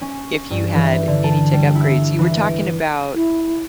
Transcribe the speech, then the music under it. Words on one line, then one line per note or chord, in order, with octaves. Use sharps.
if you had any tech upgrades? You were talking about,
C#4
G2
E3
D3
A5
G3
E4
E3
D7
E4